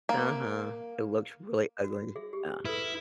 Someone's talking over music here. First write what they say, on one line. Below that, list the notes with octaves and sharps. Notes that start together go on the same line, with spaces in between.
Uh-huh, it looks really ugly, yeah,
A#3
F#4
G#4 E5
G4
E4 A4 B4